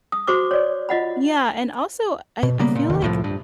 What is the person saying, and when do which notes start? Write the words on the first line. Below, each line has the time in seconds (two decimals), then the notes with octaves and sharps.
Yeah, and also I I feel like,
0.12 D#6
0.27 F#4 C5 C#6 D6
0.51 C#5 D5
0.89 F4 D#5 F#5 B5
2.43 B2
2.60 C#3 G3 A#3 B3
2.76 A#2
2.90 F1 E2 D3 D#3
3.02 C2 A2 F3
3.24 G2